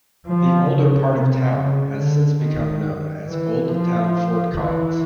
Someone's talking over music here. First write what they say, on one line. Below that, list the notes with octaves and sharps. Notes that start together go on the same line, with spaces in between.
The older part of town has since become known as Old Town Fort Collins.
F3
C#3
C3
C#3
D3
D#3
E3
F3
E3